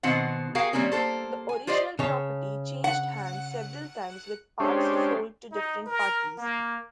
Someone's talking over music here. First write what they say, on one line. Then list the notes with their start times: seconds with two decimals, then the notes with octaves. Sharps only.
The original property changed hands several times with parts sold to different parties.
0.03 B2 D#3 C4 C5 F#5
0.55 F#4 G#4 A#4 F5 G5
0.73 D#3 G3 A#3 C4 C#4
0.92 A#3 A4 C5
1.49 G#5
1.67 F4 G4 C5 D5 D#5
1.99 C#3 C#5 A5
2.84 F#5
4.60 G#3 C#4 D4 G4 C5
5.52 D#4
5.87 A#4
6.38 A#3